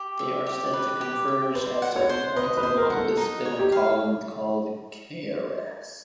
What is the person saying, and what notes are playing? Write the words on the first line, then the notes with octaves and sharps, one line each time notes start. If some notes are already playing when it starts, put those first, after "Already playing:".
They are said to converge at certain points along the spinal column called chakras.
Already playing: G4
E5
G4
B4
G4
E5
B4 C5
F#5
C#5
C5
B4 D#5
B4
C5
A#4
F#5
A4
D#4
C#5
G4
F5